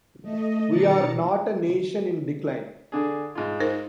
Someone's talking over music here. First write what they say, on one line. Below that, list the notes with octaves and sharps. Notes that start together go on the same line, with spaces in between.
We are not a nation in decline.
A3 D#5
B2 D#3 D4 A#5 A6 C#7
D3 D4 G#4
G#2 F4
D#4 A#4 C5